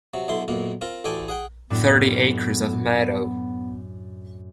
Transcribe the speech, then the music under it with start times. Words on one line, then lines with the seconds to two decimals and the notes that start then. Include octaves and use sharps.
Thirty acres of meadow.
0.14 C3 F#3
0.28 B1 D3 E4 C6
0.48 B1 F#2 A#2 A#3
0.81 C4 F4 A#4
1.04 A1 D2 A4 D5 G5 G#5
1.28 G#4 F#5 G5
1.70 F#2 A2 B3 D4